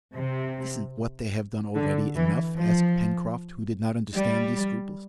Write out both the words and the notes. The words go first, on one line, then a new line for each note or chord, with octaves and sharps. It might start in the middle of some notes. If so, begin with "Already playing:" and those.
"Isn't what they have done already enough?" asked Pencroft, who did not understand these scruples.
C3
D3
E3
F3
G3